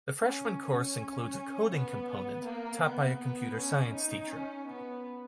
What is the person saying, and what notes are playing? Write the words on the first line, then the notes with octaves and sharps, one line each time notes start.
The freshman course includes a coding component taught by a computer science teacher.
C#4
C#4
B3
A#3
B3
B3
C#4
D#4
C#4
B3